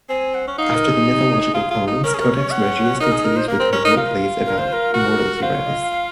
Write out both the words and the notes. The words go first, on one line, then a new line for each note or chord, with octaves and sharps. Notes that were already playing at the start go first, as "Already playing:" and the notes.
After the mythological poems, Codex Regius continues with heroic lays about mortal heroes.
C4 G#5
F#5
C#4
D#4 F5
A#4
G#4
F4
F4
D#4
C#4 A#4
G#4
A#4
C#5
F#5
D#4 A#4
G#4
A#4
C5
A#3 A#4
C4
C#4
D#4
F4
A#4
C5
A#4
F#4
A#4
F4 C5
C#5
D#5
F5
F5